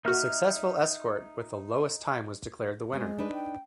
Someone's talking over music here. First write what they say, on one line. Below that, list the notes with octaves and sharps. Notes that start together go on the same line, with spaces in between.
The successful escort with the lowest time was declared the winner.
A#3 D#4 F#4 E5 F6
G#3 C4 G#4
D4 D#4 B4
G5